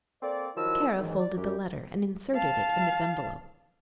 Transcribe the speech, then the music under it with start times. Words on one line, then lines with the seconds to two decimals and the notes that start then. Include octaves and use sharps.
Kara folded the letter and inserted it in its envelope.
0.21 A#3 C4 A4 D5
0.56 D#3 F3 F#3 E4 A#4 E6
0.98 D#2 G#2 D#3 E3
1.19 D5
1.35 F#2 G4
2.35 F5 A5